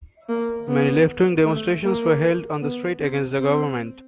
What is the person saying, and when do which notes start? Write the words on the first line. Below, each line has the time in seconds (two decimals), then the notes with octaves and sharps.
Many left-wing demonstrations were held on the street against the government.
0.29 A#3
0.68 B3
1.45 A3
1.84 A#3
2.62 B3
3.01 C4
3.40 C4